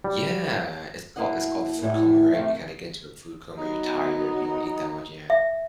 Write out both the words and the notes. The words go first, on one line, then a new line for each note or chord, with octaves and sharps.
Yeah, it's call it's called food coma, right? You kinda get into a food coma, you're tired, you don't eat that much, yeah.
G3
B2 A3 A#3 E4 D#5 F#5
A2 E3 G3 B3
C3 D#3 A3 F5 G5
F#3 B3 D#4
E5